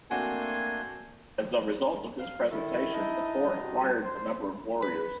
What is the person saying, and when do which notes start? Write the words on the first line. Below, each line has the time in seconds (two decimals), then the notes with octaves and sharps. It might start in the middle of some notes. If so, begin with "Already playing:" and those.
As a result of this presentation the Corps acquired a number of Warriors.
0.11 A3 A#3 C4 D4 F#4 G#5 C6
2.19 F5
2.51 D#3 E4 A4
2.93 D4 D#4 D#5
3.60 C2 C3 F#4
4.02 C5
4.82 B4